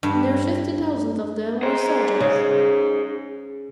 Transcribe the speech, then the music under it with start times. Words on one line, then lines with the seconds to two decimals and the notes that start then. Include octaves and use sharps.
Near fifty thousand of them were soldiers.
0.03 G2
1.63 G#4 C5
2.20 C#3